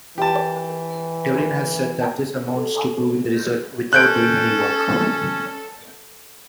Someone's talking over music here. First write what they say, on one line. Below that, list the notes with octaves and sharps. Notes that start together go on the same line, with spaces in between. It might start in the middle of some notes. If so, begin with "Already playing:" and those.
Develin has said that this amounts to proving the result "without doing any work".
E3 G4 A5
A4
C#4 A4 F#6 G6 D7